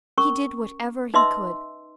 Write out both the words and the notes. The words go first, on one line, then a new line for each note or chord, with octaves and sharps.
He did whatever he could.
C#4 A#4 C#6
D#4 B4 D#5 E5 C6 E6